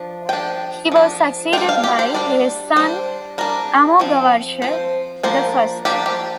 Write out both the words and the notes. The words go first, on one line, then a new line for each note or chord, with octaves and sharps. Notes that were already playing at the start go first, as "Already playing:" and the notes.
He was succeeded by his son Amoghavarsha the First.
Already playing: F3 D4
F3 D4 G5
F3 D4
G3 D4 G5
F5
G4
C5
G3 D4 D5
G3 D4 C5
G3 D4 A#4
F3 C4
F3 C4 C5
F3 A#3 D4 C5
F3 A#3 D4 G4
G4